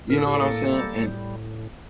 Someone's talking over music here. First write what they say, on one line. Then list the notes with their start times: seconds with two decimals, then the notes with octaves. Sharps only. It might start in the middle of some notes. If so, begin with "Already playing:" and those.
You know what I'm saying? And
0.10 A2 A#4
0.18 A4
0.27 G4
0.35 A4
0.41 A#3
0.72 G3
1.04 A2